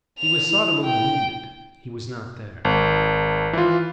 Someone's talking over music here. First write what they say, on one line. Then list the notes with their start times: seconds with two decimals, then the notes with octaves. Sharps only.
He was sought among the wounded, he was not there.
0.19 F7
0.50 E4
0.85 G5
2.65 G#1
3.53 E3 F4